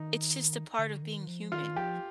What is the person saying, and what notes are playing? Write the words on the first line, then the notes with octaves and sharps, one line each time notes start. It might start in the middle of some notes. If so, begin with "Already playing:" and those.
it's just a part of being human,
Already playing: D#3 D#4
D3
D#3
F3
D#3 F4
F3 G4